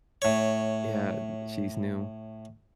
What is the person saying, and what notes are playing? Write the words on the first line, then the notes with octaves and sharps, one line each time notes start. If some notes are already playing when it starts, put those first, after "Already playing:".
Yeah, she's new.
A2 C#5